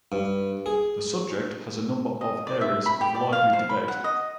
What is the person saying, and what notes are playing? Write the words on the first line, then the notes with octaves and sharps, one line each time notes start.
The subject has a number of areas of lively debate.
G2
G#4
D#5
D5
E5
B5
G4
D5
F5
C5
B5
F#5
D#5